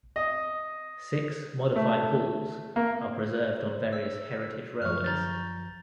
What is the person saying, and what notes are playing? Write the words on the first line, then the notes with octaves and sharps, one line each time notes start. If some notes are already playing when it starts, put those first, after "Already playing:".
Six Modified Halls are preserved on various heritage railways.
D#5
A3
A#3
E6
F#2 F3 C#6 F6
A#5 G6 A6